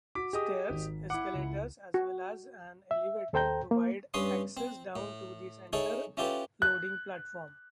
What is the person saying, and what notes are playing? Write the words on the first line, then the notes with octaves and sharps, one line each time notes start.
Stairs, escalators, as well as an elevator provide access down to the centre-loading platform.
F#4 D6 B6
G4 G#4 D#5 D#6
G#1
E4 F#5 D6
C#2
F#4
E5
D#2 A4 C5 G5 A#5 G6
A#3
G2 C#4 B4 C#5 C6 D#6
C4
A2
D#4 E4 G#4 A4 C#5
C#4 E4 F4 G4 A4 B4
F#6